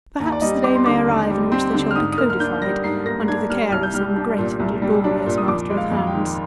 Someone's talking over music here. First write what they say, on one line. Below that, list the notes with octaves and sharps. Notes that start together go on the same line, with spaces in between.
Perhaps the day may arrive in which they shall be codified under the care of some great and laborious master of hounds.
D#2 A#5
D5
G3 D#5
C4 D6
C6
D3 D6
D#2
G3
C4
D3
F6
G#2 D#6
D#6
A#3 F6
F6
D4 G6
G3 A#6
G#2 C7
A#3 A#6
D4 G#6
G3 F6
C2 F6
G6
G3 F6
D4
A#2
C2
G3
D4
A#2
D#6
F2 D6
G#3
F5
F2
F5
G5
D#3